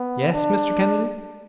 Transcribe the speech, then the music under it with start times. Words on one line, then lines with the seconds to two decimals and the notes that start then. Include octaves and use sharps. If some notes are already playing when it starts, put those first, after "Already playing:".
"Yes, Mr. Kennedy?"
Already playing: B3
0.33 D4